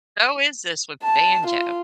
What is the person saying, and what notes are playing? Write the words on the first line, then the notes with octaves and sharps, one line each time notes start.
How is this with banjo?
A5
F4